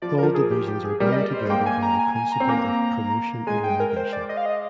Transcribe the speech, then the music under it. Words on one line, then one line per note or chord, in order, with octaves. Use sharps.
All divisions are bound together by the principle of promotion and relegation.
F3 D5
F3 A#4
G#4
G4
G4
G#4
G3 A#4
D#5
D5
C5
G#3
A#3 G5
G#5
A#5
G#5
G#5
A#5
C4
A#3
G#3 G#5
G5
A#4
A#4
C5
D5
D#5
F5
D#5